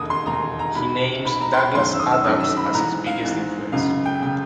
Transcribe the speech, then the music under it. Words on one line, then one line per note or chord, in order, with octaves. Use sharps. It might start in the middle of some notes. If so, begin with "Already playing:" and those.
He names Douglas Adams as his biggest influence.
Already playing: E1 D#2 D3 D#6
C6
E1 D#2 D3 A#5
A#5
B1 B2 B5
B1 B2 B5
A#5
C6
B5
G1 F#2 D#3 C6
E6
D#6
E6
G1 F#2 D#3 D#6
E6
B5
A#1 G#2 E3 A#5
F5
A#1 G#2 E3
G#1 F#2 C#3 F5
G5
C#3 G5